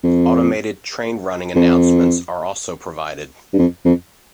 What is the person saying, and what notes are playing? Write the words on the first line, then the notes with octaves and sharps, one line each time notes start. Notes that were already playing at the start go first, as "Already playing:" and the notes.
Automated train running announcements are also provided.
F2
F2
G2
F2
F2